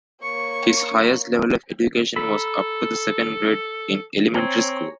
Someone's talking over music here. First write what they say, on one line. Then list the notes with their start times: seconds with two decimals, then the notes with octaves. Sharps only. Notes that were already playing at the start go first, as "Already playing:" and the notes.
His highest level of education was up to the second grade in elementary school.
0.23 A#3 C#5 C#6 C#7
2.16 A4 A#5 B5
4.35 C4 C#5 G#5 A#5